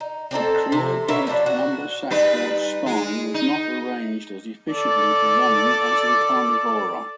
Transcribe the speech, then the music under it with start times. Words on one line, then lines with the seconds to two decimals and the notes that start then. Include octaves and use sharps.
The creodont lumbosacral spine was not arranged as efficiently for running as in Carnivora.
0.01 D#4
0.31 C4 D4 D#4 A4
0.72 C3
1.08 B2 A#4 C#5 E5
1.27 F3 G3 C#4 D4
1.46 F#4
2.10 G3 D#4 B4
2.86 G#3
3.34 D#4
4.72 A4 D5